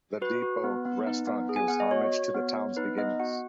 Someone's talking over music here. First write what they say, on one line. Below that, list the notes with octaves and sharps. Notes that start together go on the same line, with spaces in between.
'The Depot' restaurant gives homage to the town's beginnings.
F#4 B4
F#4
B3
B3
D#4
B3
G#4
G#5
B3 F#5
D#5
F#4 C#5
F#4
B3
B3
D#4 B4
B3 D#5
F#4 F#5